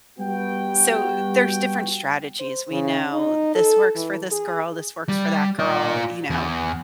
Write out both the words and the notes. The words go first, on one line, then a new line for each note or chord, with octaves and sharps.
so th there's different strategies. We know this works for this girl. This works for that girl, you know,
G3 B3 F#4 G5
C5
C#3
D#4
A4
E3
G#4
G3
F4 D5
E2